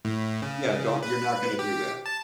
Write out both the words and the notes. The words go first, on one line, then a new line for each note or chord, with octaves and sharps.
Yeah, don't you're not gonna do that.
A2
C#3
B4
G4
A5